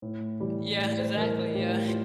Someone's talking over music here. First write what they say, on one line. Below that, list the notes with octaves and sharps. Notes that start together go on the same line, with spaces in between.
Yeah, exactly, yeah.
A2
E3 G3
A2 D5
C5
E3 G3 A#4
A#4
A2 G4
F4